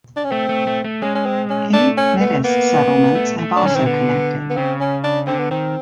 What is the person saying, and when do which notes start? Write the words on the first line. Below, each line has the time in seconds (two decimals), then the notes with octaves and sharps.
Eight Metis settlements have also connected.
0.17 D4
0.24 C#4
0.31 A3 C4
0.49 A3
0.67 A3
0.84 A3
1.02 G#3 C#4
1.15 C#4
1.26 C4
1.50 C#4
1.73 A3 D4
1.97 C#4
2.20 B3
2.44 A#3 B3
3.15 A3
3.39 A3
3.56 D4
3.63 D#3
3.65 D3 C#4
3.76 D#3 C4
3.86 D3 B3
4.50 B3
4.56 C#3 C4
4.80 C#4
5.04 D4
5.27 D3 C4
5.39 B3
5.51 D#3 C4